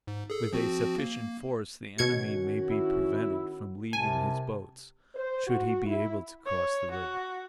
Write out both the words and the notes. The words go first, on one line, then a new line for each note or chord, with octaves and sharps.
With a sufficient force, the enemy may be prevented from leaving his boats, should he be able to cross the river.
G#2
G#4 A4
F3 C4 F#4
A#3
B2 D#3 C#4 F#4 G#6 C#7
E4
C2 C3 A#4 G#5 A5
C5
F#4
E4
C#5
F#4